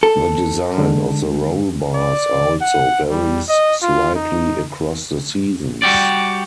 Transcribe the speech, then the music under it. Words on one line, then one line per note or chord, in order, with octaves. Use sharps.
The design of the roll-bars also varies slightly across the seasons.
A4
D3 G#3
D5
F#5
G3
D#5
F4
D#4
G3 F#4 G4 D5